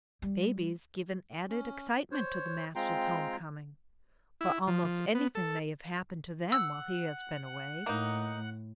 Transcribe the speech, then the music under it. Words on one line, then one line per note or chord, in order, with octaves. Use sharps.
Babies give an added excitement to the master's homecoming, for almost anything may have happened to them while he has been away.
G3
C#4
C5 C#5
G#3 C4 F4 G5 A#5 C6
E4
F3
F3
B3
A4
F#5 E6 F#6
A2 A#3 D#4